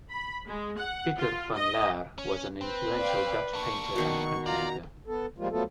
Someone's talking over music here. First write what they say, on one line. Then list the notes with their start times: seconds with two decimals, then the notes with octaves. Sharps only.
Pieter van Laer was an influential Dutch painter and printmaker.
0.10 B5
0.46 G#3
0.78 F#5
1.18 F4
1.55 D#5
2.18 C#4
2.61 C4 B4
2.98 D5 F5 G5
3.53 A#3 D4 C#6
3.96 B2 D#3 F#5
4.46 F4 D5 A#5
5.07 B3 A4
5.38 F3 G3 G#3 A#3 F4
5.51 F3 F#3 A3 B3 F4 A4